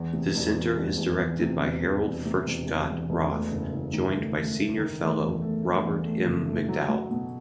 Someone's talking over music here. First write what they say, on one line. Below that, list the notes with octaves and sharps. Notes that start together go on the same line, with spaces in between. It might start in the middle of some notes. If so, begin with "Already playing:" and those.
The center is directed by Harold Furchtgott-Roth, joined by senior fellow Robert M. McDowell.
Already playing: E2
C3
E1
E1
E1
E1
E2
C3
E1
E1
E1
C3
E1
E1
E2
E1
A3
F#1
F#1
D#3
A3
A3
A3
D#3
A3
E2
A3
A3
E2
A3
F#1
A3
F#3
F#3
B2